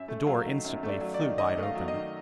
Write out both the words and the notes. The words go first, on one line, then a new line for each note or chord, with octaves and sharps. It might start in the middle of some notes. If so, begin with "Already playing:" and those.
The door instantly flew wide open.
Already playing: F#2 E5
A3
F#3 F5
D#3
F#2
A3
D5
F#3
D5
D#3
F#2 D#5
A3
F5
F#3
D#5
D#3